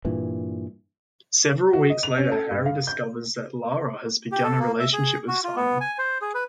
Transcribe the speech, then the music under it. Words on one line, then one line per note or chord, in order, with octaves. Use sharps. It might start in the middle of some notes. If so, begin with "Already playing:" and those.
Several weeks later, Harry discovers that Lara has begun a relationship with Simon.
G2 A#2 E3
F#4
D#5
F7
C#4
A4
G2
F5
G6
G4
A4
A#3
E5
G#4
F#4
F4
B3
G#5
C5
G#4
B4